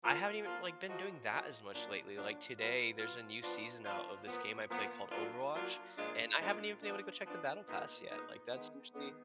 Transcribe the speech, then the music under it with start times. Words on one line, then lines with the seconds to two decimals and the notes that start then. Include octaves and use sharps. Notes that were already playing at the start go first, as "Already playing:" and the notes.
I haven't even like, been doing that as much lately. Like, today, there's a new season out of this game I play called Overwatch, and I haven't even been able to go check the battle pass yet, like, that's usually
0.03 F3 A#3 F4
0.45 F3 A#3 F4
0.87 F3 G#3 D#4 F#4
1.29 F3 G#3 D#4 F#4
1.72 A#2 F#3 D4
2.15 A#2 F#3 D4
2.57 F#3 B3 F4
3.00 F#3 B3 F4
3.42 F3 B3 D4 F4
3.85 F3 B3 D4 F4
4.27 A#2 F3 B3
4.70 A#2 F3 B3
5.12 F#3 A#3 D4 F4
5.54 F#3 A#3 D4 F4
5.97 A#2 F3 G#3 D4 F4
6.40 A#2 F3 G#3 D4 F4
6.81 F3 B3 D4
7.25 F3 B3 D4
7.66 A#2 G#3 B3 D#4
8.09 A#2 G#3 B3 D#4
8.52 D#3 G#3 B3
8.94 D#3 G#3 B3